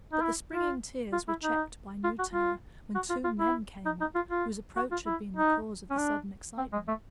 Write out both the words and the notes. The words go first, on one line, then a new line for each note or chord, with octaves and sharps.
But the springing tears were checked by new terror, when two men came up, whose approach had been the cause of the sudden excitement.
D#4
E4
F4
F4
E4
D#4
F4
F#4
F4
F#4
F4
F4
E4
D#4
D#4
F4
F4
F#4
F4
E4
D#4
C#4
D4
C4
G#3
A3